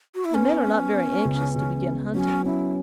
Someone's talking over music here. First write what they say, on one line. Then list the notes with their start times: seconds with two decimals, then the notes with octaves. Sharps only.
The men are not very anxious to begin hunting.
0.15 F#4
0.25 E4
0.34 B3 C#4
0.65 B3
0.95 B3
1.25 C#2
1.55 C#2
1.85 B3
2.14 F#3 C#4
2.45 C#4 E4